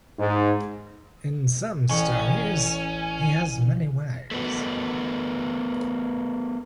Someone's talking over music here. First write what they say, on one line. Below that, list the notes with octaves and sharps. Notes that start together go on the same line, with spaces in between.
In some stories, he has many wives.
G#2
A1 C#4 G5 C#6
A3 B3 F#4